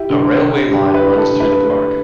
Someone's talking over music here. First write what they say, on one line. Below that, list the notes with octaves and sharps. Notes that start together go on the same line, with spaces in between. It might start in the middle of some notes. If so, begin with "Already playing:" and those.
A railway line runs through the park.
Already playing: E4 G4
D3
D3
D3 G4
B4
E4
A4
D3
B4
A3